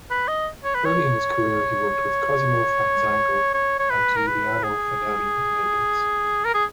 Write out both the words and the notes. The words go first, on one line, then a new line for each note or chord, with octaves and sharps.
Early in his career he worked with Cosimo Fanzago and Giuliano Finelli in Naples.
B4
D#5
C#5
B4
C#5
C#5
C#5
B4
A#4
B4
G#4
A#4
G#4